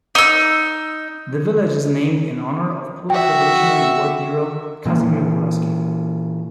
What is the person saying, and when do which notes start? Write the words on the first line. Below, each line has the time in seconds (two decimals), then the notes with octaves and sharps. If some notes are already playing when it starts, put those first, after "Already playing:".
The village is named in honor of Polish Revolutionary War hero Casimir Pulaski.
0.15 D#4 E6
3.10 F#4 E5 G5
4.85 A#2 E3 A#3